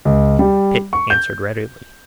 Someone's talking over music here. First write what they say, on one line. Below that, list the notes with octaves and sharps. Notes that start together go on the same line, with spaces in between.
Pitt answered readily.
C#2
G3
C#6
G6